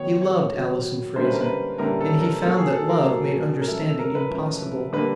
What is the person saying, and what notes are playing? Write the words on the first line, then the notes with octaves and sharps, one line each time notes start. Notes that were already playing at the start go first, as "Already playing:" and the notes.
He loved Alison Fraser, and he found that love made understanding impossible.
Already playing: D#3 F#3 B3 C#5
C#5
D#3 F#3 B3
D3 G3 A#3 C#4 E4 C5
B4
A#4
B4
D3 G3 A#3 C#4 E4 A#4
A4
A#4
F#3 A#3 D#4 A4
G#4
A4
A#4
F#3 A#3 D#4
A#4
F3 A3 C#4 E4 A4
A4
A#4
B4
F3 A3 C#4 E4
D3 G3 A#3 B4